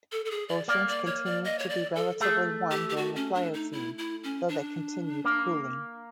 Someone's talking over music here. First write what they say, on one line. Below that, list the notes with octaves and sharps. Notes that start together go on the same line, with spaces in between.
Oceans continued to be relatively warm during the Pliocene, though they continued cooling.
A4
A4
G#4
D5
A#3 D5
D5
C#5
D5
D#5
C#5
D5
A4
A3 G#4
G4
G4
F#4
C#4
D4
D#4
E4
E4
C#4
D4
A#3